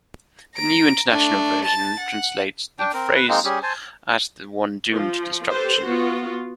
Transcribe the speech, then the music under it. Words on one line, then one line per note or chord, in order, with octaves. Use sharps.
The New International Version translates the phrase as the one doomed to destruction.
A#5 D7
A3 D4
A5 A6
F#5
D4 G5
C4 A#4
B4
G#3 A#3 C4 D#4
G3 C#4 G4 G#4
C5 G#5 A5
F3
G4 A4 B4 C5
B3 F4 F#4